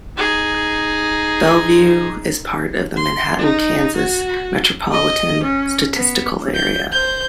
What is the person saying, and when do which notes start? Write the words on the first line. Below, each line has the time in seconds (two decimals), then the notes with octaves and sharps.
Belvue is part of the Manhattan, Kansas Metropolitan Statistical Area.
0.18 D#4 G#4
2.96 C6
3.38 D#4
3.97 F#4
4.91 D#5
5.43 C#4
5.95 B3
6.55 G6
6.92 C5 G6